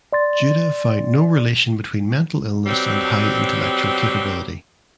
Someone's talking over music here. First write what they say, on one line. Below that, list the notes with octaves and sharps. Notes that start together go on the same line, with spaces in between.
Juda found no relation between mental illness and high intellectual capability.
D5 C6 A6
B2 F#3 G3 C4